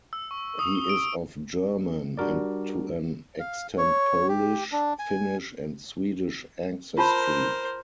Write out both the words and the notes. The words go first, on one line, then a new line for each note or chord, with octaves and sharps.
He is of German, and to an extent Polish, Finnish, and Swedish ancestry.
E6
C#6
D#6
G7
D7
G3 D4 F#4 A#4 D5
F5
C#5
G4
D4
G#5
F4 A#4 C5 A5 B5